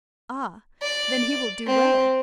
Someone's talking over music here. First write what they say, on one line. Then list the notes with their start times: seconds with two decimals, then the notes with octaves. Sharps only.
"Ah! then he will do well."
0.82 D5
1.67 C4